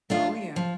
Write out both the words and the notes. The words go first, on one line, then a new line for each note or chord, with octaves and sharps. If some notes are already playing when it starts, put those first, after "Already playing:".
Oh, yeah.
A3 D4 F4
F3